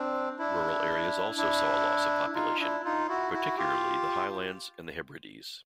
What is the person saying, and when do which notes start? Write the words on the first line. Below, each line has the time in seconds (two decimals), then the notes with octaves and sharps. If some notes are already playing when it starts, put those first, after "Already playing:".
Rural areas also saw a loss of population, particularly the Highlands and Hebrides.
Already playing: C4 D4
0.39 D4 E4
1.37 D4 E4
2.35 D#4 F4
2.59 D4 E4
2.85 D#4 F4
3.08 E4 F#4
3.33 E4 F#4
3.57 F4 G4